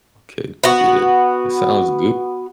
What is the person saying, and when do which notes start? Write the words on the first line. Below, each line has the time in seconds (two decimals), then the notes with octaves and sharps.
Okay, good. That sounds good,
0.63 B3 F#4